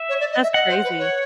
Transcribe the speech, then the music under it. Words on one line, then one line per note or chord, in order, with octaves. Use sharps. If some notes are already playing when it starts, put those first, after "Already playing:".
That's crazy.
Already playing: E5
C#5
D5
D#5
E5
D#5 F#5
C5
B4
C#5